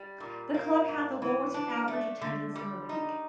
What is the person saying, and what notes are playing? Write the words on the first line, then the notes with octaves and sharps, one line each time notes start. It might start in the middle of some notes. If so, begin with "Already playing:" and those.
The club had the lowest average attendance in the league.
Already playing: G3
A#2
A#3
G#2
E3
D4
A3
D3
G3
D#4